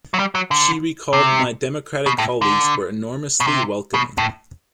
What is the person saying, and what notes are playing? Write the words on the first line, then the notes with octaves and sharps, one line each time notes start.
She recalled My Democratic colleagues were enormously welcoming.
F#3
G3
F#3
D3
C3
B2
A2
D3
B2
C3
B2
A2